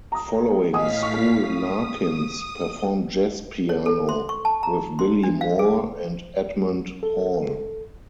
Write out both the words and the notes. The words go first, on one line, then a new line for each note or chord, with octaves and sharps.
Following school Larkins performed jazz piano with Billy Moore and Edmond Hall.
A#5 D#6
A2 D#5 F5 G#5 D#6 B6
C#6
D#6
C#5
A4
C6
C#6
A5
A#5
C6
D4
F5
G#4
A4